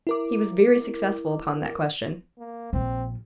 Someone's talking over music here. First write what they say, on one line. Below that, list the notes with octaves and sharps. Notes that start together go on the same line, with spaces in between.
He was very successful upon that question.
E4 A#4 D6
A#3
A#1 C4